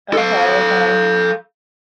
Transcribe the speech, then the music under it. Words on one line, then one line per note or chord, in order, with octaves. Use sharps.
Okay, okay.
A4 F5